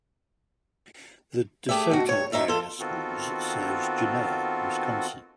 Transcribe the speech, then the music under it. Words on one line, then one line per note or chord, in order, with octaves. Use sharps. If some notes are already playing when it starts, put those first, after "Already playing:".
The De Soto Area Schools serves Genoa, Wisconsin.
A3 G4 G#4 E5
B2 F#4
G2 C#5
D2 B2 D#4 E5 F5
F4 A4
D#3 B3 C4 F4 F#4 A4